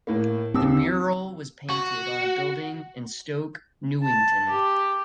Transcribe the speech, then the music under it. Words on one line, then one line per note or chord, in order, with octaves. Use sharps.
The mural was painted on a building in Stoke Newington.
A2 A#3
D#2 C4 E6
F#4
A5
G4